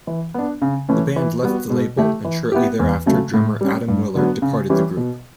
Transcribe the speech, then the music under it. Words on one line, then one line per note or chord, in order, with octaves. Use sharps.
The band left the label, and shortly thereafter drummer Atom Willard departed the group.
E3
B3 D4
C#3
E3 A3 C#4
E3
G3 B3 F#4
B2
A3 E4 G4
E3
B3 E4 G4
E2
C#3 F#3 A3
A2
G3 C#4
G2
D3 F#3 B3
C#3
E3 G3 C#4 G4
B2